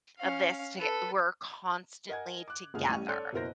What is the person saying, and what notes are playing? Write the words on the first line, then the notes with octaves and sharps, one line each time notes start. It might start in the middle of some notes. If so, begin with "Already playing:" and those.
uh, this toge" We're constantly together.
C#4 F5
A4 B4
A#4 D#5 F#5 G#5 G#6
D6 F#6
F#1 A#2 D3 G#3 G#4 F6
A1 A2 G3 C#4 C#6 D#7
A4 C#5 D5 C6 F#6 G6
F#1 B2 E4 A#4 C5 A#6